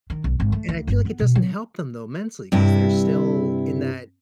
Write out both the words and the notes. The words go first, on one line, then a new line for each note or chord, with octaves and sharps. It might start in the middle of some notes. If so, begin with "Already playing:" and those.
And I feel like it doesn't help them, though, mentally, 'cause they're still in that
D#3
B1
G#1
A3
D2
G1
B3
B2
F#3
G2 C3 E4